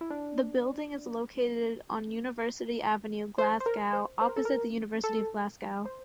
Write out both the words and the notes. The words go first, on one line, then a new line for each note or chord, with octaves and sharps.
The building is located on University Avenue, Glasgow, opposite the University of Glasgow.
E4
D4
C5
C5
A#4
C5
C5
A#4
A4
A#4
A4
C5